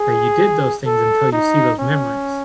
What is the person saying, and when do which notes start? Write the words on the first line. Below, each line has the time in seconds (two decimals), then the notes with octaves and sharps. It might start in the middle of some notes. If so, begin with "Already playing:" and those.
that you did those things until you see those memories,
Already playing: G#4
0.86 A4
1.32 D#4
1.79 C#4